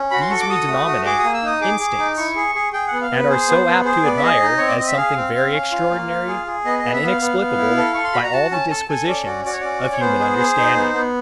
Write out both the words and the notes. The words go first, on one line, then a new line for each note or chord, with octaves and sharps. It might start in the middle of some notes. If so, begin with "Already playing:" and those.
These we denominate Instincts, and are so apt to admire as something very extraordinary, and inexplicable by all the disquisitions of human understanding.
Already playing: C#4
F#4 B5
C6
A4 C#6
D6
F#4 D#6
A3
F#4
G#4 D6
D#6
A#3
E6
D#4 D#6
G#4 D6
G#4
D#4
E4 C#6
G#4
G#4
G#4 G5
B3 F#5
F5
B3 B4
G#4 C5
B3
B3
G#4 C5
B3 D5
E5
G#4 D#5
D#4
C4 C#5
D5
C4 D#5
E5
G#4 F5
C4
C4
C#4
F4
A#3
F4
G#4
G#4
B3 D#5
D#5
B3
E5
B3 F5
B3
B3
E4
A4
A4 C#6
C6
F#4 B5
A#5
F#4 A5
C#4 A5
A4 A5
A4 G#5
C#4 D5
F#4 D5
F#4 D5
C#5
C#4 D5
C#4
C#5
B3 C5
G#4
G#4
D#4
B3
B3